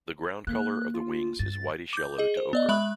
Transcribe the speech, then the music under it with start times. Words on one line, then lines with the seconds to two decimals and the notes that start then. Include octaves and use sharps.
The ground colour of the wings is whitish yellow to ochre.
0.47 A#3 F#6
0.94 F4
1.39 G2 A6
1.93 D6 G6
2.18 G#4 D#5
2.37 C5
2.53 B3 D5 D#5
2.69 G#3 E5 B5 F#6 F#7